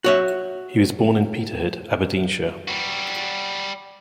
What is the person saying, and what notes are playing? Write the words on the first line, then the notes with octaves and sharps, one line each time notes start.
He was born in Peterhead, Aberdeenshire.
F#4 C#5 E5
G3 F#4